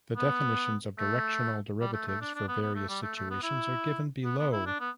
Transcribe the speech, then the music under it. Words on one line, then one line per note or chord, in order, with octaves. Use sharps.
The definitions of directional derivatives for various situations are given below.
B3
A3
G3
A3
A3
D4
D4
B3
B3
A3
G3
A3
A3
B3
E4
B3
B3
E4
D4
B3